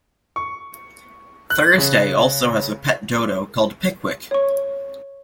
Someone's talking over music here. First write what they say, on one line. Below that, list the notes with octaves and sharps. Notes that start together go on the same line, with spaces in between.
Thursday also has a pet dodo called Pickwick.
C#6
F#6
C#3
C#5 C#6